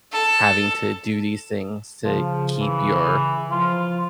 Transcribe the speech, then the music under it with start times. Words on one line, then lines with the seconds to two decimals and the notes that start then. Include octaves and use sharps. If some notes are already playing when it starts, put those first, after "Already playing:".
having to do these things to keep your
0.12 A4
2.04 C#3 F3
2.60 E3
3.04 C#3
3.51 F3 F4